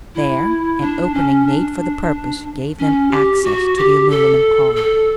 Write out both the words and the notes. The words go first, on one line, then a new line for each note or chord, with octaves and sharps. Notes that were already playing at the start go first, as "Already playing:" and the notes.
There, an opening made for the purpose gave them access to the aluminum car.
E4
D4
C#4
D4
C#4
G4
F#4
G4
A4
A4